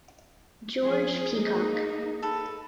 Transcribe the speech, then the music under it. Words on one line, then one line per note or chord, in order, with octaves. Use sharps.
George Peacock.
F3 G#4 C5
A#3 D#4 G#4
A4 B4